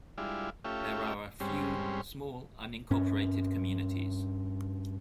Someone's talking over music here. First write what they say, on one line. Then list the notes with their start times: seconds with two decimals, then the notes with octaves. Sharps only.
There are a few small unincorporated communities.
0.18 G3 G#3 D4 E4 F4
0.65 A3 C#4 F4 G4 E5
1.40 G2 G3 G#3 C4 C#4
2.91 G2 C#4